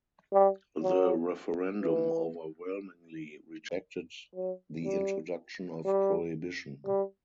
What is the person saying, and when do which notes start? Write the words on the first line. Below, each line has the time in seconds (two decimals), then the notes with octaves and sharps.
The referendum overwhelmingly rejected the introduction of prohibition.
0.33 G3
0.83 F#3
1.83 E3
4.36 F#3
4.85 G3
5.85 G3
6.87 G3